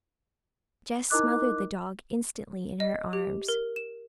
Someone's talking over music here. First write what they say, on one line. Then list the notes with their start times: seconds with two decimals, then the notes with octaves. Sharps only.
Jess smothered the dog instantly in her arms.
1.10 D#4 E4 A#4 D#5 D6 F#6
2.80 D#5
3.13 G4
3.48 A#4
3.76 E7